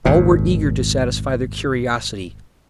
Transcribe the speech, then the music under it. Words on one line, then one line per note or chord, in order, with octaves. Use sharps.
All were eager to satisfy their curiosity.
G#1 D#2 A#2